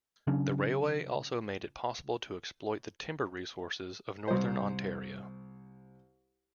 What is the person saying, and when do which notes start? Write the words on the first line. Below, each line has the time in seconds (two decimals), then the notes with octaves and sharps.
The railway also made it possible to exploit the timber resources of Northern Ontario.
0.27 C#3 F#3 C#4 D4
4.28 C2 C5